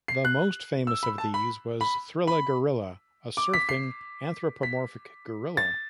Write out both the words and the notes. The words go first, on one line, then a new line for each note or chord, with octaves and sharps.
The most famous of these was Thrilla Gorilla, a surfing anthropomorphic gorilla.
C7
F#6
E6
B5
A5
B5
B5
B5
D6
B6
C7
B6
A6